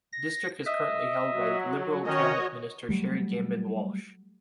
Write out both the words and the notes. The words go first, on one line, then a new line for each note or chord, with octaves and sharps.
The district is currently held by Liberal Cabinet Minister Sherry Gambin-Walsh.
A#6
D#5 E5
F#3
D#3 C#4 F#4 C#5 D#5
F#3 G3 A3